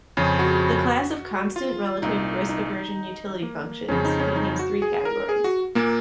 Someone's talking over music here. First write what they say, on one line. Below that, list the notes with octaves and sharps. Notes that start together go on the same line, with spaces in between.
The class of constant relative risk aversion utility functions contains three categories.
F2 C#3 G#4
F#4
F4
C2 A#2 D#4
D#4
A#3
F2 C#3 C#4
D#4
C#4
D#4
F#4
G#4
A#4
G#4
F#4
A#2 A#3